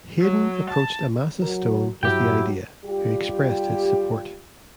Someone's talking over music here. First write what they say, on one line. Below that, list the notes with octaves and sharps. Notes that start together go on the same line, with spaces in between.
Haydn approached Amasa Stone with the idea, who expressed his support.
F#3
A5
F#3 A#4
G2 F#3 E4 G4 F#5 G5
G3 F4 G4